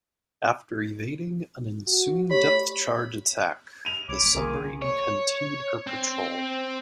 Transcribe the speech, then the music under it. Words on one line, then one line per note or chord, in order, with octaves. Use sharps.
After evading an ensuing depth charge attack, the submarine continued her patrol.
F#4
A2 G4 C#5 B5
D#7 F7
C2 C#5 B5 D6
F#1
C2 D#3 A#3 F4 G#4
C#5
C4